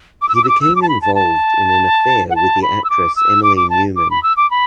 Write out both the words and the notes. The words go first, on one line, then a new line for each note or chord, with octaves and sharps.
He became involved in an affair with the actress Emilie Neumann.
D6
E6
D6
E6
D6
E6
D6
A5
B5
A5
A5
F#5
A5
B5
E6
D6
E6
D6
D6
A5
D6
B5
E6
D6
B5